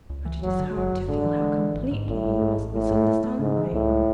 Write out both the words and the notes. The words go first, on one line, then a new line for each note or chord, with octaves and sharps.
But it is hard to feel how completely he must misunderstand me.
C#2
E3
F#1 F#3
D3
F#1 F#3
F#1
G#2 D3
E3
G#3
E3
G#1
G#2
G#1 A2
G#1
G#2
A1
A1 A2
G#2
A3
A3
G#2 C#3
E3
C#2 A2
G#3